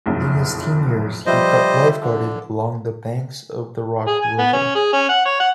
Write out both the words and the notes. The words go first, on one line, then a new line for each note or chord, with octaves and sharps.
In his teen years, he lifeguarded along the banks of the Rock River.
F#1 B1 F2
F3 G3 B4 C5 D#5 E5
D3
G#4
G#5
B3
C#4
G#4
C#4
F#5
C#5
F#5